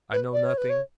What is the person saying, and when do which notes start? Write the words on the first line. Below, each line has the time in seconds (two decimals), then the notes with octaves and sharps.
I know nothing.
0.13 B4
0.33 D5
0.45 C#5
0.58 B4
0.69 C#5